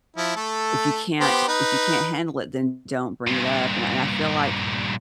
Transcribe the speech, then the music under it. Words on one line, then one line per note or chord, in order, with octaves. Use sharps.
if you can't if you can't handle it, then don't bring it up, and I I feel like,
F3 E4
A3 A4
B3 G4 C5
D#4 B4
G2 A#2